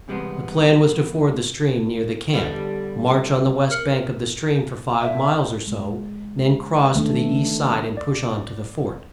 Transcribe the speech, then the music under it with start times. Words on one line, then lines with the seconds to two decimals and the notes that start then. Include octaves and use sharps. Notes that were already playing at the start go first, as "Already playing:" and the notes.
The plan was to ford the stream near the camp, march on the west bank of the stream for five miles or so, and then cross to the east side and push on to the fort.
0.08 E2 C3 G3 G#3 B3
2.34 D3 G3 B3
3.71 A#4 F6 C7 C#7 F#7
5.00 E5
5.67 G#3
6.94 D#3 A3 B3 D4
7.97 D5